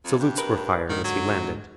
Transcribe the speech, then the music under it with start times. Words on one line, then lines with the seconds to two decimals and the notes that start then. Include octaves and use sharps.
Salutes were fired as he landed.
0.04 F2
0.19 G2
0.38 A#4 B4
0.89 G#2 D3 D#3
1.04 F#3